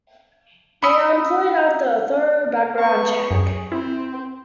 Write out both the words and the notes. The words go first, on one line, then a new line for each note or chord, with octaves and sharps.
They are employed after a thorough background check.
B5 D#6 E6
B3 A5 C#6
F#2 G4 G#4 C#5
C4 E4